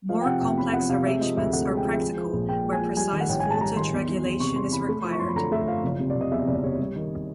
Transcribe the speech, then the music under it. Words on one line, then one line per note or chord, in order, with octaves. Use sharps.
More complex arrangements are practical where precise voltage regulation is required.
F3 F5
G5
C3 F#5
F1 G5
E2 B5
F3 F#5
C3 F5
G#3 E5
F3 D#5
D2 E5
D3 F#5
G#3
G5
F3
G#3
F3
A#1
A#2 G5
G#3
G#5
F3
G3 G#5
D#3
F#5
A1 G5
G#2 G#5
A5
G3 A#5
D#3 C6
E2
E3
E2
C3 C#6
E2 C6
E3 B5
A3
F3
C#6
F#2 C6
B5
D3 A#5
A3 E5
F3 F5
F#1
C3
D5
F#1
D#5
E2 E5
F#1 D5
C3 C#5
G3
D#3